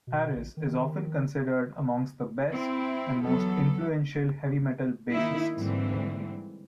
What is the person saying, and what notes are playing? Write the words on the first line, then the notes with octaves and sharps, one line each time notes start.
Harris is often considered among the best and most influential heavy metal bassists.
B2
A1
D#3
C4 E4
E2 F#3 B3 A4
D#3 A#3 D#4 E4
G#2 D3 E3 G3 A#3 C4